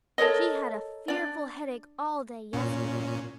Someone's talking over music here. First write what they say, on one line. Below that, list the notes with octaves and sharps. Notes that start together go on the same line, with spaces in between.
She had a fearful headache all day yesterday.
A4 A#4 C#5 D#5
D4 D5
A#2 C#4